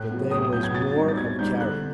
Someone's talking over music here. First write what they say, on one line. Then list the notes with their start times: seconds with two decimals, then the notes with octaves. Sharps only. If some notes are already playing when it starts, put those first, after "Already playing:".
But there was more of character.
Already playing: A2 F#6
0.11 F#3 B3
0.31 A2 D#6
0.42 D#6
0.53 F#3 B3 G6
0.63 G#6
0.74 B2 A6
0.96 G3 C4 D#4
1.08 A6
1.17 B2 G#6
1.39 G3 C4 D#4 G6
1.60 D3 F#6